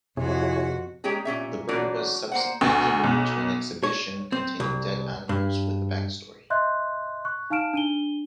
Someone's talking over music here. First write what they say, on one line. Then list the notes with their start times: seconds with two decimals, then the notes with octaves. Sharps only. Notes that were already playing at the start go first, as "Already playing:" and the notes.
The bird was subsequently moved to an exhibition containing dead animals with a backstory.
0.17 F2 C3 E4 F#4 G#4 C#5
1.04 G#3 A#3 C#4 G4 G#4
1.25 A#2 C4 C#4 E5
1.69 E3 F#3 A3 C#4 F#4 D5
2.32 A#3 C5 F#5
2.61 D2
3.04 B1
3.83 C#5
4.32 C4
4.60 C2
5.29 G2
6.50 D#5 E5 C6 F#6 G6
7.25 C#6 F#6
7.50 D#4 F5 A5 F6 D7 E7
7.73 D4 D#7 G7